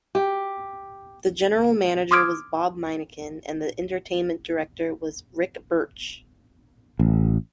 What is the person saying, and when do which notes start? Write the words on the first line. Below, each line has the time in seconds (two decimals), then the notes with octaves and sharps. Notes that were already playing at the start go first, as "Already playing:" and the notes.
The General Manager was Bob Miniken and the Entertainment Director was Ric Birch.
0.15 G4
2.11 C6 D6 D#6 F6 G#6 D7
6.99 A1